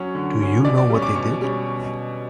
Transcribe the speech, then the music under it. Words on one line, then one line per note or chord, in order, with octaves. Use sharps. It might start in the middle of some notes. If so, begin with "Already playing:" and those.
Do you know what they did?
Already playing: F#3 C#4
D3
F#3 C#4
B2 D5
D5
G3 C#4
D6
B2 C#6
G3 C#4